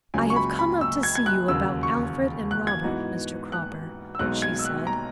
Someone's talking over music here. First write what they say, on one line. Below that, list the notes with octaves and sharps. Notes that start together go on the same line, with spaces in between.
"I have come up to see you about Alfred and Robert, Mr. Cropper," she said.
C#2 C#3 F#3 G#5
C#6
B5
B5
E6
G#6
G#6
F#6
E1 D#2 C#3 F#3 E6
C#6
F#6
G#6
G#2 E3 B3 D#4 F#4
F#6
E6
B1 B2 G#3 B3 D#4 F#6
G#6
E6
F#6
A#5